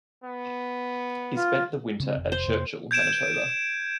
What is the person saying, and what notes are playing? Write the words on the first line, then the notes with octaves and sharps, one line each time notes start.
He spent the winter at Churchill, Manitoba.
B3
F4
C#3 C4
F1
C5
F2 C3 A#3
G6 G#6 D7 E7